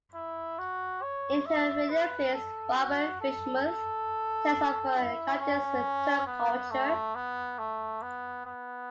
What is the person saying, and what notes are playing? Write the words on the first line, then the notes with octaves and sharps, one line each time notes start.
In her radio plays, Barbara Frischmuth tells of her encounters with Turk culture.
E4
F#4
C#5
E5
B4
A4
F#4
A4
A4
E4
C#4
B3
A3
B3
A3
B3
B3